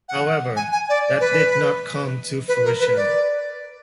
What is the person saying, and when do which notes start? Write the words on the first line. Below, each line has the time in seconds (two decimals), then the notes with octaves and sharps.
However, that did not come to fruition.
0.08 F#5
0.56 G#5
0.72 G#5
0.89 D5
1.20 B4
2.48 B4
2.64 A#4
2.79 B4
2.96 D5